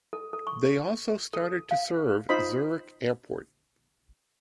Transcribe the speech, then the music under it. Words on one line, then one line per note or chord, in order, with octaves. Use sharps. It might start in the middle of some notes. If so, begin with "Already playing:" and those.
They also started to serve Zurich Airport.
A4
A4
C#6
A4
F5
D#4 F4 C5 D#5 B5